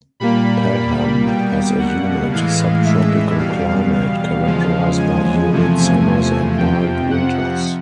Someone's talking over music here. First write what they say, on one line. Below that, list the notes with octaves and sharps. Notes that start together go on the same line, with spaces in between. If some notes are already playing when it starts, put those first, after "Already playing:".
Pelham has a humid subtropical climate, characterized by humid summers and mild winters.
A#2 G3 A#3 B5
B2 G3 A#3 G5
F#5
A2 E3 G#3 F5
E5
E2 B2 G3 F5
F5
E2 C#3 F3 G#3
G#5
E2 C3 F3 A3
F2 C3 F3 G5
F#5